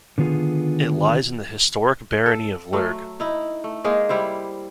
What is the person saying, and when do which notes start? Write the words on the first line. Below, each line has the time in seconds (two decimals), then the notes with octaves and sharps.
It lies in the historic barony of Lurg.
0.18 D3 D#3 B3 F4 G#4
2.26 A4
2.73 F#3 A3
3.20 D#4 E4
3.64 A3
3.84 G#3 A#3 D#4 G#4
4.09 G3 E4 C5